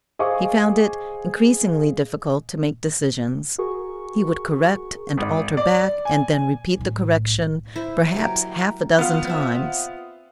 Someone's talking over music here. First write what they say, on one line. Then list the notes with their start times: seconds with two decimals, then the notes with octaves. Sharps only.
He found it increasingly difficult to make decisions; he would correct and alter back and then repeat the correction, perhaps half a dozen times.
0.19 G#4 C5 D#5 F5 C#6 D6
3.58 F#4 G#4 A#4 C#6
5.18 G#1
5.57 D5
6.05 G#5
6.78 B1 A2
7.76 E4 C5
8.14 F#3 G4 A#4
8.98 B3 F4
9.27 C4 E5